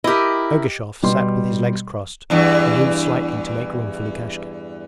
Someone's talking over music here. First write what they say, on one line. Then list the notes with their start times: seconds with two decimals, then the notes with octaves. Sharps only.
Ergushov sat with his legs crossed and moved slightly to make room for Lukashka.
0.04 E4 G4 A#4 D#5
1.03 B2 G3 C6
2.30 E2 G2 E3